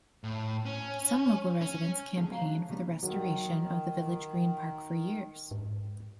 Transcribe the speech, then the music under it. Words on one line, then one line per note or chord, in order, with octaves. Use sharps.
Some local residents campaigned for the restoration of the Village Green Park for years.
A2
C#4
C#4
D3 F#3 G#3 A3 B3 C#4
D#2 F3 F#4 C#5 F5 A#5
D4
B2 D#3 G3 A#3 B3
D#3 F#3
G#2